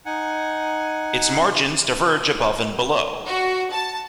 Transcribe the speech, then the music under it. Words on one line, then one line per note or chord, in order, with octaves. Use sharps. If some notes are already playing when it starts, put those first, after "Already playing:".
Its margins diverge above and below.
D#4 F#5 G#5
F#4
A5